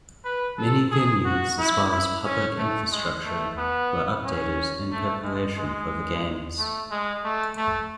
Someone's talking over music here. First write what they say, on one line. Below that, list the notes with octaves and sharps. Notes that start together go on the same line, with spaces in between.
Many venues as well as public infrastructure were updated in preparation for the Games.
B4
A4
G#4
F#4
E4
E4
C#4
A3
G#3
A3
B3
C#4
A3
G#3
G#3
A3
G#3
A3
A3